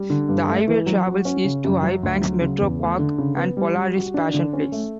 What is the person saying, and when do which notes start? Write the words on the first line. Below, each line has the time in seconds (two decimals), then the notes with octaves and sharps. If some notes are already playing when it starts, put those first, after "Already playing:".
The highway travels east to Highbanks Metro Park and Polaris Fashion Place.
Already playing: G3
0.10 D3
0.29 G2
0.49 A3
0.68 E3
0.86 F#3
1.07 F#4
1.25 C#4
1.44 C#3
1.64 F#2
1.83 F#3
2.03 D2
2.21 F#3
2.41 C#3
2.61 E2
2.79 A3
2.99 D3
3.18 C#3
3.37 B3
3.57 G3
3.76 G3
3.96 F#4
4.14 D4
4.34 D3
4.53 C#4
4.72 A3